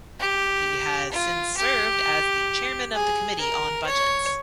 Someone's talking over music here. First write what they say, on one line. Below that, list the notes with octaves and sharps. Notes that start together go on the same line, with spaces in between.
He has since served as the chairman of the Committee on Budgets.
G4
F4
G4
G#4
A#4
C#5